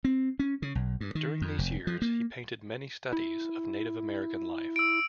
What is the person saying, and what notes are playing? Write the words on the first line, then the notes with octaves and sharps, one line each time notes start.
During these years, he painted many studies of Native American life.
C4
C#4
C#3
B1
G2
D#3
F2
F1
F3
A#3
E4
E6 D7